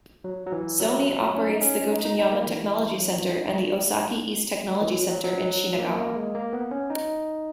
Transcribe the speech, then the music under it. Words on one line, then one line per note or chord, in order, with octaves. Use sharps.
Sony operates the Gotenyama Technology Center and the Osaki East Technology Center in Shinagawa.
F#3
F#3
E3
F#3
C#4
D#4
C#4
D#4
D#4
D#4
G#3
A#3
E3
F#3
E3
F#3
F#3
E3
F#3
F#3
F#3
A#3
A#3
G#3
A#3
B3
C#4
D#4